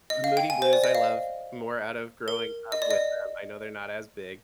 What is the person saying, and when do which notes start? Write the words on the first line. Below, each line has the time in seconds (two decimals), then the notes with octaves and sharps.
Moody Blues, I love, more out of growing up with them. I know they're not as big,
0.10 D#5
0.24 F5
0.37 G5
0.50 G#5
0.62 C5
0.73 D5
0.84 D#5
0.95 F5
2.28 A#4
2.72 D#5
2.82 D5
2.91 D#5